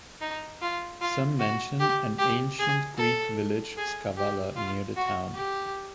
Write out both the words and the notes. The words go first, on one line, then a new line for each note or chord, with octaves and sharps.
Some mention an ancient Greek village "Skavala" near the town.
D#4
F4
F4
F#4
G4
G4
G#4
A4
G#4
G4
F4
F#4
G4